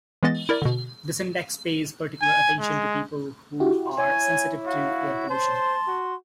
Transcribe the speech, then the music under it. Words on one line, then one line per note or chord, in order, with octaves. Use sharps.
This index pays particular attention to people who are sensitive to air pollution.
E3 G#3 B3 D#5 A6
E4 A#4 D5
B2 D3
G#5
G#3
E4 F#4 G4
E4 C#5 G#5
F#4 F5
C5 A5 C6
F#4